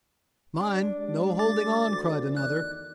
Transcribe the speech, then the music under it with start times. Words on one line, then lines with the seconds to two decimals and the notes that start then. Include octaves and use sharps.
"Mind, no holding on!" cried another.
0.61 D4
0.97 G#3 G4 D5
1.39 D6 A6
1.85 D2
2.37 E2 D#3 D5 F#6